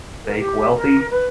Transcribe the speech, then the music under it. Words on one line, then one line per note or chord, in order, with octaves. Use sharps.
fake wealthy.
A#4
G4
A#4
B4